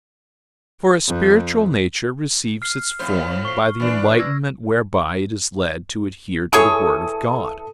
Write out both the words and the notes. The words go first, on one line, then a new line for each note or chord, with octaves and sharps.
For a spiritual nature receives its form by the enlightenment whereby it is led to adhere to the Word of God.
F2
F6 C7
F2 A2 C5
C#6 C7
E3 D4
E6 G#6 A#6
E3 G#4 A4 C#5 D#6